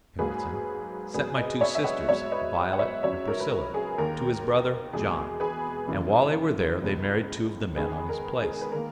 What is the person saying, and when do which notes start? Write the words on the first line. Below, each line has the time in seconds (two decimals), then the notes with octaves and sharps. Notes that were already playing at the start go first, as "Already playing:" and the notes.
M.R. Singleton, sent my two sisters, Violet and Priscilla, to his brother John, and while they were there they married two of the men on his place.
0.19 G#2 F#3 A#3 G#4 B4
1.14 G#2 F#3 B3 G#4 B4
1.37 B4 D#5
1.61 C#5 E5
1.75 E5
1.84 D#5 F#5
2.08 G#2 F#3 B3 C#5 E5
2.32 B4 D#5
2.73 F#5
2.79 C#5 E5
3.03 C#2 C#3 F#3 C#5 E5
3.28 A#4
3.40 B4
3.51 A#4
3.74 G#4
3.98 D#2 D#3 A#3 A#4
4.93 E2 B2 G#3 G#4
5.40 G#4 B4
5.88 F#2 C#3 E3 A#3
6.82 C#2 C#3 G#3 B3
7.77 G#2 D#3 G#3 B3 G#4 B4
8.09 A#4
8.41 G#4
8.61 B4
8.72 D#3 A#3 A#4